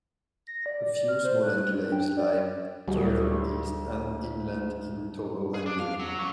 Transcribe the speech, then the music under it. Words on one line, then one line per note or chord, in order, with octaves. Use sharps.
A few small enclaves lie further east and inland in Togo and Benin.
A#6
D5
D5
F6
C5
F#6
D4
G5
D5
D2 F#3 G3 F#4
G#4
D4
F5
F#3
E3 C#4